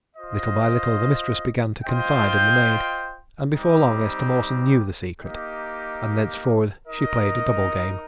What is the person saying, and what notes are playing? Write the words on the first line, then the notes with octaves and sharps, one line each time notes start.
Little by little the mistress began to confide in the maid, and before long Esther Mawson knew the secret--and thenceforward she played a double game.
F4 C5 D#5
F4 C5 D#5 G5
G3 C4 D#4 G4
A#3 D#4 G4 D#5
D#4 A#4 D#5